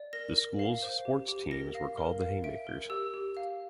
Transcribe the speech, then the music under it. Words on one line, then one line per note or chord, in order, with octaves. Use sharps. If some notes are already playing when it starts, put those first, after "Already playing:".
The school's sports teams were called the Haymakers.
Already playing: D5
A#4 A#6
A#4
F5
C5
G4
G4
A#4 A#6
F5
A#4
F5
E5 D7
A#4
G4 E6
G4
F5